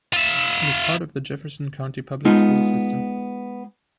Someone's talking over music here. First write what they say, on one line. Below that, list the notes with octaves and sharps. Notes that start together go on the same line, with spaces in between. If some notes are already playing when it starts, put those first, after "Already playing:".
It is part of the Jefferson County Public Schools system.
F4 E5
G#3 B3 D#4 F4